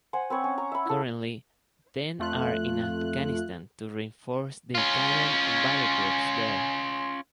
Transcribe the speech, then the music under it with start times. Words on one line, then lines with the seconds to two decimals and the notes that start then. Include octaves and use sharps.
Currently ten are in Afghanistan to reinforce the Italian Battlegroups there.
0.13 C5 F#5 G#5
0.30 C4 B4 C#5
0.44 C#4
0.58 A#5 C#6
0.72 E5 B5
0.85 E4 A4
2.19 F2 A3 F4 F#6
4.75 C#4 F4